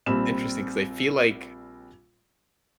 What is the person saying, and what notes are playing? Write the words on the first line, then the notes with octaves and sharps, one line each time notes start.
interesting 'cause I feel like
A#1 G3 C4 B5 E7